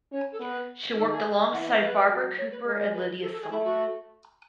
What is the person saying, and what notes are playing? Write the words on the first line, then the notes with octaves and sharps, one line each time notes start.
She worked alongside Barbara Cooper and Lydia Sohn.
C#4 C#5
A4
B3 B4
D#3 A4
G#4
E3 F#5
E5
D#5
B4
F#3
C#5
B4
G#3
D#5
B4
A4
A4
G#4
A3 E4
F#4